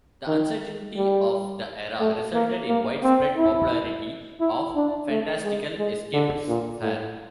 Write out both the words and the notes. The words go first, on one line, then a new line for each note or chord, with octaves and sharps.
The uncertainty of the era resulted in widespread popularity of fantastical, escapist fare.
D#3
G3
A3
A#3
A#3
C4
E4
E4
D4
A3
G#3
G#3
D3
A#2
A2